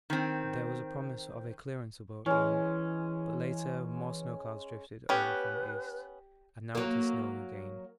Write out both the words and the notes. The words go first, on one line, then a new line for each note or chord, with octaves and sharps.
There was a promise of a clearance about noon, but later more snow clouds drifted over from the east, and now it is snowing again.
D#3 C4
E3 G#3 C#4
B3 C#4 G4 B4 C#5 G5
F#3 A#3